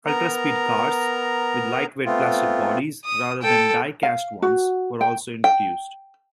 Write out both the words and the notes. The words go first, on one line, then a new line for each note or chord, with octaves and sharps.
Ultraspeed cars, with lightweight plastic bodies rather than die-cast ones, were also introduced.
B3 A#4 A#5
A3 B3 C4 F4
D#6
A4 G5
F5
F#4
G5
G5